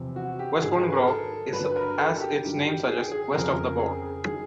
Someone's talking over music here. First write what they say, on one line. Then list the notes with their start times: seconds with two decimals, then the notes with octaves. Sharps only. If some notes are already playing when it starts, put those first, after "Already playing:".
Westbourne Grove is, as its name suggests, west of the bourne.
Already playing: E2 C3 F3
0.16 F#4
0.39 G4
0.62 G#2 D#3 F#3 G#4
0.83 B4
0.95 A#4
1.07 A4
1.52 G2 D3 F#3 B4
1.65 B4
1.76 A#4
1.98 A4
2.20 G4
2.44 G2 D#3 F#3
2.67 G4
2.88 G#4
3.12 G#4
3.34 F2 C#3 F3 A#4
3.79 G#4
4.25 D#3 F#3 G#4